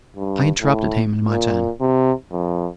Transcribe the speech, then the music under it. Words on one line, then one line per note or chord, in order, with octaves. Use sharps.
I interrupted him in my turn.
G2
A2
A#2
C3
F2